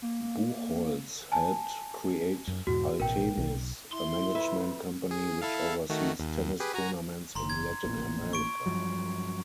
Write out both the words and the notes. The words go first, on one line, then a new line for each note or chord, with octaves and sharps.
Buchholz helped create Altenis, a management company which oversees tennis tournaments in Latin America.
A#3
G#5 A5
F#2
E2 G#2 B2 F#4
A1 B2 A#4 G5
B1
E4 C6
F2 B4 E5
G#4
E4 A4 F5
D#3 A3 F#4
D#2
G4 G#4 B4
F#4 G#5 A#5
F#1 A#5 C6
G#6
A1 A#2
C#6 D7
G2 F3 F#3